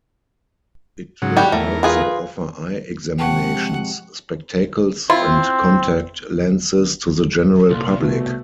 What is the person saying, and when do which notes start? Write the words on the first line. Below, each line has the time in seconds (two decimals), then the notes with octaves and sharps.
It will also offer eye examinations, spectacles and contact lenses to the general public.
1.22 G#2 C#3 F#3
1.37 G3 F#4 G4
1.52 E2 A3 A#4
1.83 F4 G#4 B4
3.18 C3 F3 G#3 F#5 G5 A5 C#6
5.10 C4 E4 F4
7.70 C2 A#2 F4
8.00 B2 A3